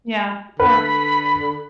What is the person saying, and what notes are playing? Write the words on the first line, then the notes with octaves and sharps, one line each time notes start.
Yeah or
D3 B4 B5